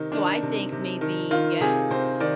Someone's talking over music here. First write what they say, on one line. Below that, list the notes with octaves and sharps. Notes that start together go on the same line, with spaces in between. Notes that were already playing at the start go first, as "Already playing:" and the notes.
So I think maybe Yeah,
Already playing: C3 D#3 D#4
D#3 D4
C3
C3
D#3
D#3 F4
C3 G#4
C3 C5
D#3 D5